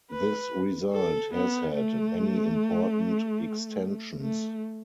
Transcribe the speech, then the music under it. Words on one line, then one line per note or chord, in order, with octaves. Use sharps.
This result has had many important extensions.
B4
A4
B3
A3
A3